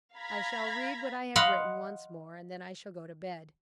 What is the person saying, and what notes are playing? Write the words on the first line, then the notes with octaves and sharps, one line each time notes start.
I shall read what I have written once more, and then I shall go to bed.
F5 A#5 B5 G#6 A#6 B6
D#5 F5 F#5 B5 C6